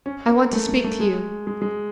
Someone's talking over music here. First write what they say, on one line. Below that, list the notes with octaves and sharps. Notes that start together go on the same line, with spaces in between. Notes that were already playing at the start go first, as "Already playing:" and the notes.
I want to speak to you.
C#4
A#3
A3
A3
A3
G#3
G#3
G#3